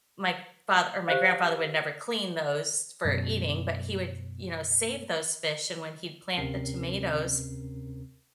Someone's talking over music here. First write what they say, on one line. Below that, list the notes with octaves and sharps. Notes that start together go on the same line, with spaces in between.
my c father or my grandfather would never clean those for eating, but he would, you know, save those fish, and when he'd plant the tomatoes,
G4 C5 C#5 F5
F#2 B2
D2 C3 C4 C#4 A#4 C7